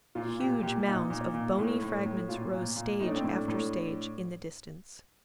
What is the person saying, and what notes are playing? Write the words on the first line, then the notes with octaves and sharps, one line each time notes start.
Huge mounds of bony fragments rose stage after stage in the distance.
A#2 F4
A#2 G4
A#2 G4
A#2 D#4
A#2
A#2
A2
A2
A2
A#2 F4
A#2
A#2
A2 D#4
D4
C4
A2 D4
A2